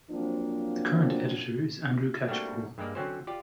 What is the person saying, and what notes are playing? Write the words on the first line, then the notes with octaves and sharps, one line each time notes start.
The current editor is Andrew Catchpole.
F3 F#3 A#3 C4 D4
G3 A3 A#3 C4 D4 F#4
G2 G#3 A#3 D5
D3 F#3 C4 C#4 C5
F4 G4 D5